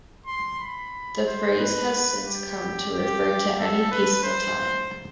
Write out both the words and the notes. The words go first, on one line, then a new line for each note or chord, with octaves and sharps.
The phrase has since come to refer to any peaceful time.
C6
B5
C5
B4
G4
G4
A4
B4
C5